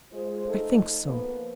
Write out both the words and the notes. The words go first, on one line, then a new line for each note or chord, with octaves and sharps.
I think so.
G#3 F4 C5
F3 A3 D#4 A4
F3 A#3 B3